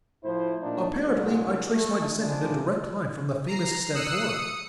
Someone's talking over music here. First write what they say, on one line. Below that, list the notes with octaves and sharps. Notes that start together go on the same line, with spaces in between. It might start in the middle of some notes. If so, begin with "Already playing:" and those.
Apparently I trace my descent in a direct line from the famous Stentor.
A2 F3 E4 C5
A#2 D4 D#4
C2 A#2 D3 F#3 G#3
A3
D3 F3 G#3 A3 D4
A#5 C7
D#6 E6 F#6 C7 C#7
D#6 C#7